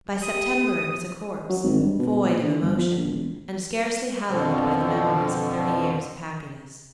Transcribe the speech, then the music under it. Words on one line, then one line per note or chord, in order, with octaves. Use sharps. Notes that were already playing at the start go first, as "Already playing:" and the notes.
By September it was a corpse, void of emotion, and scarcely hallowed by the memories of thirty years of happiness.
G4 D#6
F#3
G#1
G2
B2
A#2
D3
G1
F3
A#1
E1
F2 B2 D3 F3